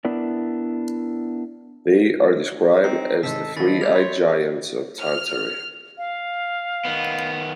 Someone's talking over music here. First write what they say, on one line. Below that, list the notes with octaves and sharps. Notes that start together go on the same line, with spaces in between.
They are described as the Three-Eyed Giants of Tartary.
B3 D4 E4 A#4 D5
C4 D#4 C7
G#2 C3 D#3 D#4 A4 B6
D#3 F3 C#4 F#4 D#5 B5 A6 A#6
G3 A3 A#3 G6 G#6 F7
C#5 B5 C6
F6
F5
D#3 B3